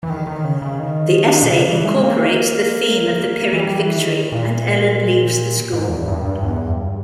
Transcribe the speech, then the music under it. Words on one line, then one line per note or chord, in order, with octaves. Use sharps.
The essay incorporates the theme of the Pyrrhic victory and Ellen leaves the school.
E3
D#3
D#3
C#3
C#3
D#3
B2
C#3
E3
G#3
A#3
A#3
E3
G3
E3
D#3
A#2
G#2
E2
G2
G2
E2
G2